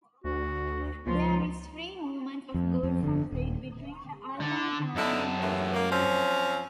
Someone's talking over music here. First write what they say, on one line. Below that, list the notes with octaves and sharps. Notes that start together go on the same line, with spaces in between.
There is free movement of goods and trade between the island and Member States.
D2 F#4
C#2 F3 F4
F2
F2
G1 D3
D#1
D3
F#2 D3 D#4 E4 A5
D#2 A2 E3
A#3
F3 C4 C#4